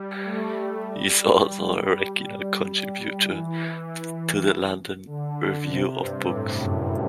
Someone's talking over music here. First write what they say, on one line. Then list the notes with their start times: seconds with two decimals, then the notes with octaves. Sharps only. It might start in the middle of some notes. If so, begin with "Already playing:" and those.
He is also a regular contributor to the "London Review of Books".
Already playing: G3
0.24 A3
0.85 G3
3.25 E3
5.07 D3
5.66 C3
5.97 G2
6.27 A2
6.57 F#2